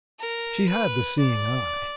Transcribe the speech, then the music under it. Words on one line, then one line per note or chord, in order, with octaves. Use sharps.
She had the seeing eye.
A#4
B4
D5